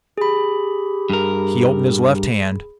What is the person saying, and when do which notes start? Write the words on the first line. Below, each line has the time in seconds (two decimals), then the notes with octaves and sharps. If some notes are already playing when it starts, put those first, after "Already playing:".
He opened his left hand.
0.18 G4 G#4 B5
1.10 G2 A#4